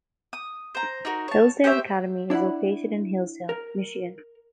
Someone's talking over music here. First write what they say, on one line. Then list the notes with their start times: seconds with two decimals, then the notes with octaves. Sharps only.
Hillsdale Academy is located in Hillsdale, Michigan.
0.33 D#6
0.75 C5 A#5
1.05 D#4 F#4 A#4
1.28 C#5 A5
1.64 G4 C5 C#5 E5
2.30 D4 E4 D5 F#5 B5
3.49 A#4